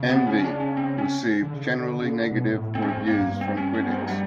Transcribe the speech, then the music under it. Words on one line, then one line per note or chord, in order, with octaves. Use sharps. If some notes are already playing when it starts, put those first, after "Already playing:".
"Envy" received generally negative reviews from critics.
Already playing: C#3
B3
C#4
C#4
D4
C#4
C4
C#4
D3
C#3
D3
C#3
D3
B2
A2
A2 C4
C#4
C4
G#2
A#3
G2
C4
C#4
C#4
B3
C4
F#3
G3